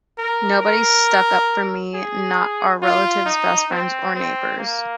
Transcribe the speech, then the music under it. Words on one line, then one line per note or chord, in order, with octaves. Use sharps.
Nobody stuck up for me-not our relatives, best friends or neighbors.
A#4
A#4
G#4
F4
D#4
C4
C4
A#3